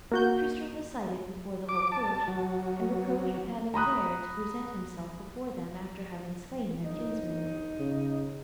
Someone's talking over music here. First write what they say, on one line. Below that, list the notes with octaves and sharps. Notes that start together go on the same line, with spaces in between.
Tristram was cited before the whole court, and reproached with having dared to present himself before them after having slain their kinsman.
A#3 F#4 G6
D6
A5
F#3
A#5 B5 D#6 F#6
G1 D#4
C#3